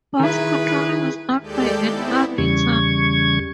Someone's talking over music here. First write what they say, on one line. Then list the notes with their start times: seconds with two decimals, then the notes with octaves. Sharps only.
Bus controlling is done by an arbiter.
0.20 D#3 E4 G#4 B4
1.41 D#2 G#3 G4 A4 D5 G6
1.88 B3 C4 E4
2.38 E2 C#3 G3 C#6 G#6